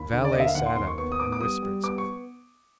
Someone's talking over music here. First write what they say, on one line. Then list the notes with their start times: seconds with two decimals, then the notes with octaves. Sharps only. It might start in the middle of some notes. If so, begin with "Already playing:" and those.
The valet sat up and whispered something.
Already playing: D#2 B5
0.12 D3
0.25 D5
0.32 D#2 D#5
0.40 E5
0.47 F5
0.55 D#2 F#5
0.66 C6
0.76 D#2 C6
0.87 C#6
0.98 B3 C#6
1.12 D#6
1.19 B3 D6
1.32 D6
1.41 G3 D#6
1.62 G3
1.83 B3 D6
1.98 C#6